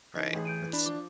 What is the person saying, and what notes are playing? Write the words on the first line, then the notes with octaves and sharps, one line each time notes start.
Right. That's
E3 D#4 D#5
A1 G#4
G6 D7 D#7
D4 B5
F3 D6